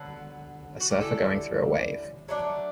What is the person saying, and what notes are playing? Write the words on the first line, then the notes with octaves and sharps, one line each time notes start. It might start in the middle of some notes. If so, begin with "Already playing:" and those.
A surfer going through a wave.
Already playing: D3 F#3 B3
F#4
G4
D3 G3 C#4 E4 A4
F#3 A3 D4 C#5